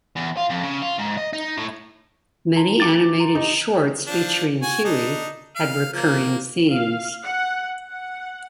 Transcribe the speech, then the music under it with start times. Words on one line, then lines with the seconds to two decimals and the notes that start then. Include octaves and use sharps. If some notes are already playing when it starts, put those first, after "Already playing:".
Many animated shorts featuring Huey had recurring themes.
0.16 E2
0.37 F4
0.50 F2
0.64 C#3
0.82 F4
0.98 G#2
1.17 D#5
1.33 D#4
1.58 A2
2.56 A5 A#5 C6
2.80 D6 A6
3.20 A#5 C6
3.35 D4 D#4 G4
4.07 F3 D4
4.62 F#4 G#5
4.85 D4 D#4
5.56 F5
5.93 F3 A#3
6.71 F5
7.24 F#5
7.90 F#5